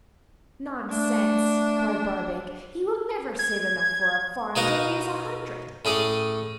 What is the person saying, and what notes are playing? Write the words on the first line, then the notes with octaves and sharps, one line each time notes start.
'Nonsense,' cried Barbaik, 'he will never save enough for a farm till he is a hundred.
A3 D4
G#6
B2 D#4 A#4 F5 F#5
A2 C#4 G#4 D6